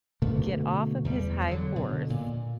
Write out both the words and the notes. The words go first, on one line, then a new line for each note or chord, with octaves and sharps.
get off of his high horse
B2 D3 A3 A#3
E2 G3
D3 E3 F#3
B2 D3
A#2